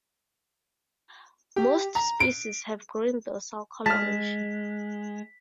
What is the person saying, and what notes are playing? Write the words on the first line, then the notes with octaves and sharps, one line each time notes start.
Most species have green dorsal coloration.
G4
A#5
D7
G#3 A5 F6 B6